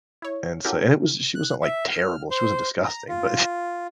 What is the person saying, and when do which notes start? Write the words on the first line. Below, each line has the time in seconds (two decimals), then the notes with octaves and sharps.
And, so and it was she wasn't, like, terrible. She wasn't disgusting, but,
0.22 E4 C#5
0.64 C#4 E4 F#4 G4 A4 A#4
1.35 F#6
1.62 E5
1.91 F6
2.31 C5
2.86 A#5
3.09 F4